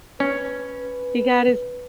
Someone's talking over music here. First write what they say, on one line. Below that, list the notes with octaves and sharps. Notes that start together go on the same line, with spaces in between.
he got his
C#4 B4